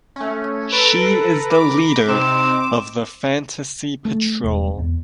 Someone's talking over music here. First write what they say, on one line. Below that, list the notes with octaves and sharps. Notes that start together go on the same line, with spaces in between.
She is the leader of the Fantasy Patrol.
A3 C#4
A4 B4 A#5 D7
B5 D6
C3 C4 D#4 E7
A3
E1
E2